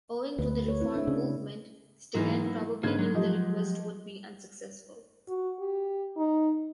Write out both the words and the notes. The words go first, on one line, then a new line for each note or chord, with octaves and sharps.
Owing to the reform movement, Stigand probably knew the request would be unsuccessful.
D2 F#4 B4
B4 C#5
A3 C4 E4
D4 E5
C#3
G#2 E3 F#3 A#3 B3 E4
E4
G#2 D3 A#3 B4 G#6
F#3 G#3
F3 G4 D#5
F#4
G4
D#4